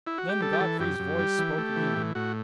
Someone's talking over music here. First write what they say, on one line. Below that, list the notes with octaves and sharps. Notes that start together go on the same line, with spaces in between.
Then Godfrey's voice spoke again.
E4
F#4
G4
G3 A4
G4
E3 A4
F#2 G4
F#2
G3
E3
A3
E3
A2
A2 F#4